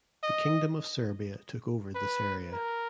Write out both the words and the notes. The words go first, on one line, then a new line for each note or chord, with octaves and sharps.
The Kingdom of Serbia took over this area.
D#5
B4
A#4